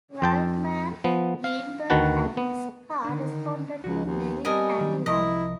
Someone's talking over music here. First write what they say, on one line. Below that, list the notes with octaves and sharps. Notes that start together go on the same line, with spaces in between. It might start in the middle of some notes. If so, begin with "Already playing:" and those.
Waldman, Weinberg, and Scarr responded to Levin and Lynn.
F2 G5 A5
F3 B3
F5
D2 D#3 F#4 B4 F#5 A5
B3
D3 D#3 D4
C#2 F3 F#4
D#2
G3 B3 C4 A#4 D#5 G#5 A5
D#3 F#3
C2 F3 E4 A#4 D#5